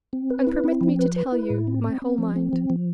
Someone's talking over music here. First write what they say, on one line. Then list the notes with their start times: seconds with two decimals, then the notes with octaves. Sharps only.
And permit me to tell you my whole mind.
0.13 C4
0.30 B4
0.47 E4
0.64 C4
0.81 F3
0.99 B4
1.16 B4
1.32 E4
1.50 A2
1.67 C4
1.84 C4
2.02 C4
2.18 F3
2.36 C4
2.53 F3
2.70 F3